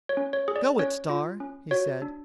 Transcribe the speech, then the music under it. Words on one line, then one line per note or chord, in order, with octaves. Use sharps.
"Go it, Star!" he said.
C#5
C#4
C#5
G#4
D5
C#4 C#5
F4
C#4
F#4 C#5
D4